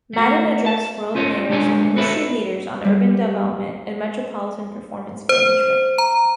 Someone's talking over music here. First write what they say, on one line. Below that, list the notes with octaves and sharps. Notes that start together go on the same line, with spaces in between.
Madden addressed world mayors and industry leaders on urban development and Metropolitan Performance Management.
A3 F#4
A5
C#4 F4 C5 C#5 D#5
G#3 D4 G4 C#5 G#5
F#4 A4 B4 C#5 E5
G3
C5
A#5